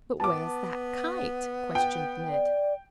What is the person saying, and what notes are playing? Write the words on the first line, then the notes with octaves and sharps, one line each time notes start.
"But where's that kite?" questioned Ned.
B3 A5 D6
G5
D5